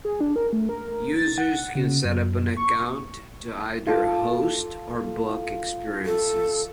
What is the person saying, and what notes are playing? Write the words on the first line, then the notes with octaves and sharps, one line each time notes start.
Users can set up an account to either host or book experiences.
G#4
D4
A#4
A3
A#4
A6
F#5
C#3
F#2
C#6
F4 A4 D6
A4